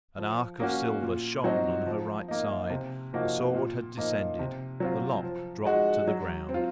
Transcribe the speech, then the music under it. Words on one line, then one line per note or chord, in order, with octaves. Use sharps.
An arc of silver shone on her right side: the sword had descended. The lock dropped to the ground.
F3
A#3 C#4 F#4
A#2
F#3 C4 D#4 F#4
F3
A#3 D#4
C3
F3 A#3 D#4 F#4
A#2
F3 A#3 D#4
C3
F#3 C4 F4
F3
G#3 D#4 F#4
F#3
C4
F4